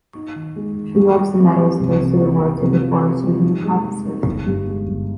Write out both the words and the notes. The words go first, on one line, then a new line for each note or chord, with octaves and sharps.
She loves the meadows close to the woods or the forest, or even the coppices.
D#4
D#3
G#3
D#3
G3
G3
C4
G4
C2
C3
C3
C3
C3
F4
F4
G3
D#4
G#3
G#3
D#4
G1
G2
G#3
G1